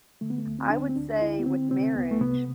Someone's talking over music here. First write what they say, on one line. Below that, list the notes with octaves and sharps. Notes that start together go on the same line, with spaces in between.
I would say with marriage,
D3 A3
B3
A3
D2
C4
D3 D4
C4
C4
D2 D4
D3 E4
B3
D3 C4
C3 C4
C2 B3
A3
C3 B3